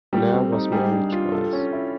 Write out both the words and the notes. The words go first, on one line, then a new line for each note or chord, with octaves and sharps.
Blair was married twice.
G3 A3
C4
D#4
G3 G#4
D4
F4
A4
C#4
E4